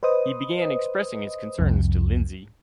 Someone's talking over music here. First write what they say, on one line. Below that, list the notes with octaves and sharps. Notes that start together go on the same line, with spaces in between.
He began expressing his concerns to Lindsay.
B4 C5 D#5 D#6
C2 F2